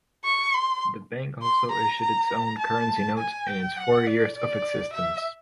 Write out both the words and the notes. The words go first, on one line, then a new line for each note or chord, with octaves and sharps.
The bank also issued its own currency notes in its four years of existence.
C#6
C6
C6
A#5
A#5
A5
G#5
G5
F#5
D5
D5
E5